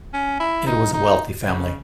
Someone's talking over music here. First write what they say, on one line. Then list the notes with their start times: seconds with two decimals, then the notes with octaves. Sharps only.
It was a wealthy family.
0.13 C#4
0.40 E4
0.66 D#4
0.93 D#4
1.47 C#3